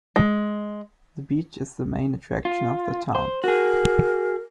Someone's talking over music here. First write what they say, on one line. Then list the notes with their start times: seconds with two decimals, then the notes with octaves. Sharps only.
The beach is the main attraction of the town.
0.16 G#3
2.45 F4
3.15 C5
3.44 F#4 G#4 A#4